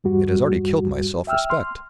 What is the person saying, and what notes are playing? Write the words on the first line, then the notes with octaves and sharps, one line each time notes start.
It has already killed my self-respect.
E2 G2 G3 F#4
E5 G5 E6 F6
C6 F6